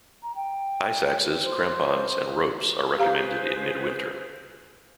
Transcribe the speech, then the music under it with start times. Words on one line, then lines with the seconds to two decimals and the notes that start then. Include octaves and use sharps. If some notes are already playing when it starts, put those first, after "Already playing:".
Ice axes, crampons and ropes are recommended in midwinter.
0.22 A#5
0.35 G5
1.43 C5
2.98 G4 G#4 B4 C5 F5 A#5